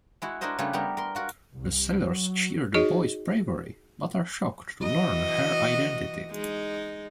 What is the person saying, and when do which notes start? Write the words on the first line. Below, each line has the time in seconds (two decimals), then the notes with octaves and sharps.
The sailors cheer the boy's bravery, but are shocked to learn her identity.
0.22 G#3 E4 F#4
0.41 D4 E4 F#4 A#4 C5 D#5
0.59 C#3 G3 A3 D4 E4 B4
0.73 G3 A3 B3 G4 A#4 A#5
0.97 A#4 C6
1.15 F4 F#4 A#4
1.54 C2
2.00 F#3
2.74 D#4 F#4 G#4 C#5 D#5
4.82 E3 F#4 D#5
6.32 G#3 D#4